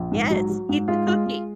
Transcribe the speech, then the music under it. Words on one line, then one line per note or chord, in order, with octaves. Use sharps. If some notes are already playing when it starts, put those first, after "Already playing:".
Yes, eat the cookie.
Already playing: A#1
G#2
F#3
F#3
G#2
G#3 F4
G#3
G#3